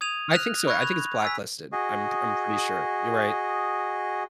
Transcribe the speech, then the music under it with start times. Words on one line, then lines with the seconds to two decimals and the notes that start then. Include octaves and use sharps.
I think so. I think it's blacklisted. I'm p I'm pretty sure you're right.
0.01 D#6 G#6 D#7 F7
0.31 F6 F#6 A#6 F7
0.67 B5 C#6 F#6 G#6 A#6
0.82 F7
1.23 G#5 E6 B6
1.72 F#4 G#4 D#5